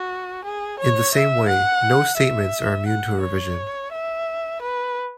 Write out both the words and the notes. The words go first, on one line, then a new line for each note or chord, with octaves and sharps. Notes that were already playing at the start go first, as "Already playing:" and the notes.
In the same way, no statements are immune to revision.
Already playing: F#4
G#4
C#5
E5
F#5
E5
F#5
C#5
E5
B4